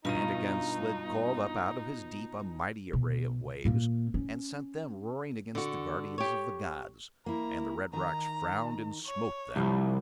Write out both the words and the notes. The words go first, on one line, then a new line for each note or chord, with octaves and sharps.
And again Slid called up out of his deep a mighty array of waves and sent them roaring against the guardians of the gods, and the red rocks frowned and smote them.
G2 B2 D#4 F4 A#5 D#7
B2
A#2 A#3
C#4
D3 F#4
G4 C#5
A#3 E4 A#5
D#3 D#4 A#5
C#5
C2 F3 G3 F4